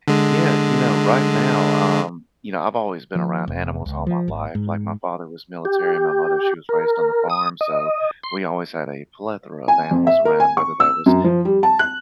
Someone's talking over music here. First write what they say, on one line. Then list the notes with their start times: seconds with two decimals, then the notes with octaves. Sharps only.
Yeah, you know, right now, um You know, I've always been around animals all my life. Like, my father was military. My mother, she was raised on the farm, so we always had a plethora of animals around, whether that was
0.08 D3 G#3
3.15 F3
3.48 F1
3.86 C#2
4.07 F3
4.28 G#1
4.55 G#2
5.65 G4
6.69 A#4
7.30 D#6
7.61 D#5
8.24 C6
9.68 G#5
9.91 F2
10.07 E5
10.25 A#4
10.40 G#5
10.57 C#6
10.80 E6
11.06 F#2
11.24 F3
11.45 G3
11.63 A5
11.79 F#6